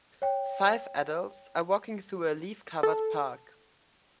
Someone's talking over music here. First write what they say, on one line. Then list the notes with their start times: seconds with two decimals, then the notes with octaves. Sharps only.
Five adults are walking through a leafcovered park.
0.22 C#5 G5
2.83 A4